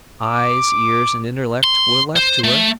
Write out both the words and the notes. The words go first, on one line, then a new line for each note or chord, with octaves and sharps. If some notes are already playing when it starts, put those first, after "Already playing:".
Eyes, ears, and intellect were left to her.
D6
C6
C5
A3